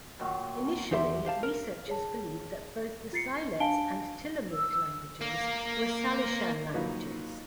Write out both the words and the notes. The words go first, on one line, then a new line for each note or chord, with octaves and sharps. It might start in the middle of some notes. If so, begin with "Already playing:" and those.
Initially researchers believed that both the Siletz and Tillamook languages were Salishan languages.
A#2 D#3 F#3
E2 D#4 G4 E5 C6
G4 C5 F5 A5
A#4
G#4 C#5 A5
F4 A6 C7 C#7
D4 F5 G#5 A5 D7 G7
E6
A#3
F3 F#3 A#3 D#4 F#4 B4